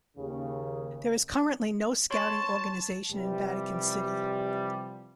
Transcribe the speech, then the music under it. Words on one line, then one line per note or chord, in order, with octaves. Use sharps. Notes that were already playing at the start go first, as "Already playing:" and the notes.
There is currently no Scouting organization in Vatican City.
D#2 C#3
C#5 A5 C6 C#6
C3 E3 F3 G3